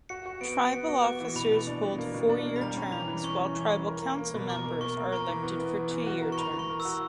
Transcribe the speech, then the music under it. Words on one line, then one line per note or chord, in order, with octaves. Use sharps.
Tribal officers hold four-year terms while tribal council members are elected to two-year terms.
F#4 C#7
F#4
B3 D7
B3
B3 C#7
F#4
F#4 D6
E3
B2 B5
B2
D4
B2
A#3
B2
D4
A#3
B5
G3 A#5
C#4
E3 B5
E3
C#4 C#6
C#4
E3
C#4
A#4
A#3
A#3
B2
A#4 D6
A#4
A#4 C#6
A#3
A#4 C#6
E3
B3
B3
E3
E3
F#4
A#4
C#6
A#4 B5
E3
C#6
A#4
E6
F#4